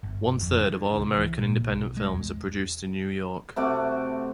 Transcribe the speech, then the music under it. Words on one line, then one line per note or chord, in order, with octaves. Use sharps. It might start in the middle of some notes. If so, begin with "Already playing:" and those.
One-third of all American independent films are produced in New York.
G1
F2
D3
C2
E3
A#2
B1
G#3
E2
C3 A3 F#4 D6